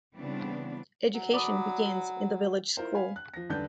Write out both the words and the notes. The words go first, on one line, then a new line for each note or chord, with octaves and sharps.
Education begins in the village school.
C#3 E3 G3 B3 C4 D4
F#3
D5 B5 D#6
E4 F4 A#4 C5
F5 G#5 B5
F#6
F3 A#6
D#1 D3 D4 B4 A5 G6